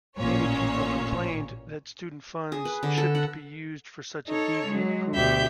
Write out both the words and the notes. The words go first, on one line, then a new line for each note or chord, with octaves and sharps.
Many people complained that student funds shouldn't be used for such a "deviant" group.
A1 A#2 C#4 C#5
G#4
B4
D3
A4
F#5
D#4 A4 C#5
F#3 G#3
D2 B2 G4 E5 G6